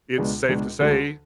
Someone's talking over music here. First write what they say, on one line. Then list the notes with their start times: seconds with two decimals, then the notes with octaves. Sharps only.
it's safe to say,
0.17 C#2 B2 G#3 D4
0.49 C#2 B2 G#3 D4
0.80 D2 D3 G#3 D4 F#4